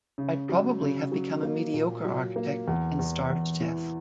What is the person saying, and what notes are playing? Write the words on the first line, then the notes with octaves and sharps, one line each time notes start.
I'd probably have become a mediocre architect and starved to death.
C#3
F#3
C#3
F#3
A#3
A#2
F#3
A#3
E2
E2
E2
E3